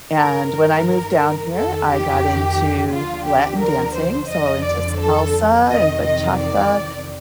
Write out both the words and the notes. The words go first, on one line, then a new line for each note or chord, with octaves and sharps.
and when I moved down here, I got into Latin dancing, so into salsa and bachata
G2 D#3 A#4
A#4
F2 D#3 A4
G4
D#2 D3 F3 F4
G4
A#4
C5
F2 D3 F3 D#5
D5
A4
F2 C3 D#3 D#5
D#5
D5